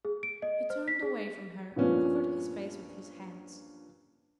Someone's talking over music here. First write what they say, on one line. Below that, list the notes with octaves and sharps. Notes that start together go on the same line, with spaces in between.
He turned away from her, and covered his face with his hands.
G#4
D7
D#5
C5
B6
G#4
G2 A#2 F3 B3 C#4